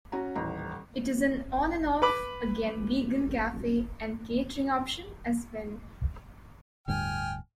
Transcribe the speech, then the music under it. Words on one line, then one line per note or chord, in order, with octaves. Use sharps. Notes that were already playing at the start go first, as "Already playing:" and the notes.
It is an on-and-off again vegan cafe and catering operation as well.
C#4 F#4 A#5
D#1 A1 A#5
B4 B5 D6
D1 D2 G2 G5 G#5 F6